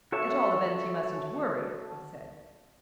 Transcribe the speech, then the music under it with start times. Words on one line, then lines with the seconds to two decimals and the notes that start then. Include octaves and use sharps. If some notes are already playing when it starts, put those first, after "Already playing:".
"At all events, you mustn't worry," he said.
0.12 F#4 A4 C#5 E5